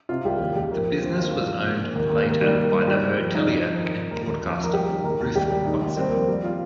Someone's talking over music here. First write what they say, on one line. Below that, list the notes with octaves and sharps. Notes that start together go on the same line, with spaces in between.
The business was owned later by the hotelier and broadcaster Ruth Watson.
C3 F4
C2 G4
D#2
D#2 G4
F3 A#3
F3
D#2 C4
D#3 F4
G2
F3
A#2
A#2
D#2 A#3
D#2 A#3
D#2 A#3
D#3 G3
G3 A#3
G2
D#3 G3
D#3
F3
G2 D#4
F2
F3
D#3
D#3
D#2 A#4
D#2
F2
F2
A#4
G3 G4
D#3
D#2 A#4
D#2
C2 G4
G3
D#2 D#4
D#2
G3 C4
A#3
F2
G3
F4